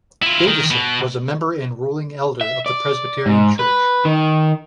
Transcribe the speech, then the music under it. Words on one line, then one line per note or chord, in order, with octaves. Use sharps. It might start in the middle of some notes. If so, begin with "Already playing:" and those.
Davisson was a member and ruling elder of the Presbyterian Church.
E4 F4
D#3
B2
E5
D5
G#2
B4
D#3